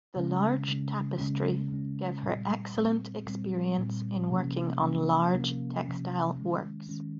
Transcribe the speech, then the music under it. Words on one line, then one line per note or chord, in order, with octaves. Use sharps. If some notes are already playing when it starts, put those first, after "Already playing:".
The large tapestry gave her excellent experience in working on large textile works.
C#3 G#3 C#4
C#3 G#3 C#4
C#3 G#3 C#4
C#3 G#3 C#4
A#2 G3 C4
A#2 G3 C4
A#2 G3 C4
A#2 G3 C4
C3 F3 A#3 C#4
C3 F3 A#3 C#4
C3 F3 A#3 C#4
C3 F3 A#3 C#4
D#3 G#3 C#4
D#3 G#3 C#4